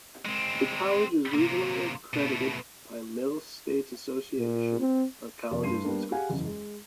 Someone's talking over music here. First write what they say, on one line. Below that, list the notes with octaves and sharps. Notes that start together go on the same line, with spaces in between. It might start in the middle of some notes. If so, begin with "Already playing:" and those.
The college is regionally accredited by Middle States Association of Colleges and Schools.
G#3 C4
C3 A#3
B2 A3
A#2
C4
F1 F2 D5
G2 C6 C7 D#7
G3 A#3 B3 D4 A#4
G4 G#4 F5 F#5 G#5
F#1 E2
G#3